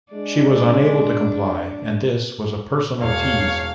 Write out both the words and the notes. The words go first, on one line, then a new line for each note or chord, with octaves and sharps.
She was unable to comply and this was a personal tease.
G#3 D4
E1 C#5 F5